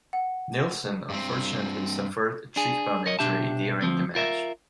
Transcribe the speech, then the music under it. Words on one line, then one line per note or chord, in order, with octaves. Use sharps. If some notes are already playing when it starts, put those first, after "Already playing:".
Neilson unfortunately suffered a cheekbone injury during the match.
F#5
G2 C4
D4 G#4
A#4 C#5 D#5
C2 B2 D4 G4 E5 A5
D2 F3 C4
F4 A#4 E5